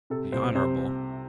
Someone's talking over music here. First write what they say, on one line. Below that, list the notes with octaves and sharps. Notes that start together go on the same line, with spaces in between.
The Hon.
C3 A4
C2 C5
C3 C5